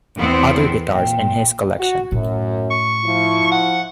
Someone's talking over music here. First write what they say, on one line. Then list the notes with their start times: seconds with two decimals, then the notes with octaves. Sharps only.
Other guitars in his collection.
0.17 E2 B3 C4
0.93 A#2 G5
1.79 F#4
2.12 F#2 A2
2.71 C#6
3.05 F3 E4
3.52 F#5